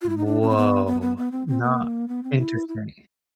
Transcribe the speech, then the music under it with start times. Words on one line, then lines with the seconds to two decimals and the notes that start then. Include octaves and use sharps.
Woah. Not Interesting.
0.02 F4
0.09 E4
0.18 D#4
0.26 D4
0.41 C#4
0.49 C4
0.57 B3
0.87 B3
1.01 B3
1.17 B3
1.32 C4
1.48 C4
1.62 A#3
2.08 B3
2.23 C4
2.38 E4
2.68 E4